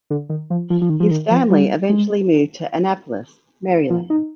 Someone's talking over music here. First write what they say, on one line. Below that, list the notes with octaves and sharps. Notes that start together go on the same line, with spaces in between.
His family eventually moved to Annapolis, Maryland.
D3
D#3
F3
F3
F3
D#3
F3
D#3
F3
G3
G#3
F3
D#4